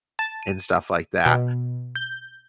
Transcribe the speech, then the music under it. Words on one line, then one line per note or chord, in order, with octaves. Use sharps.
and stuff like that,
A5
D#7
B2
G6